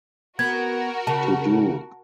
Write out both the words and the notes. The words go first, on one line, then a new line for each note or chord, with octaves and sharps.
To do.
B3 F#4 A#4 G#6
C#3 A5